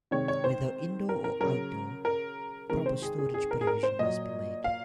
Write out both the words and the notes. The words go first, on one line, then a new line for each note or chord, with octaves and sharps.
Whether indoor or outdoor, proper storage provision must be made.
C3 D#3 G#3 C#5
C#5
C5
A#4
A#4
C#3 F#3 A#4
A#4
C3 D#3 G#3 A#4
C5
G#4
G#4
G#4
A#4
G#4
A#4
C5
A#2 F#3 D#5
F5